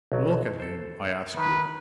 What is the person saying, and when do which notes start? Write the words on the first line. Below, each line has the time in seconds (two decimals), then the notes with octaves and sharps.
Look at him, I ask you!
0.12 B1 F#3
0.60 A4 C5
1.37 D#3 B4